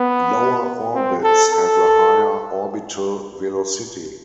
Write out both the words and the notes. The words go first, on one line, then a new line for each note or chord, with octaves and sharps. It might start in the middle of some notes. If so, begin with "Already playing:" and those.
Lower orbits have a higher orbital velocity.
Already playing: B3
C4
A4
A4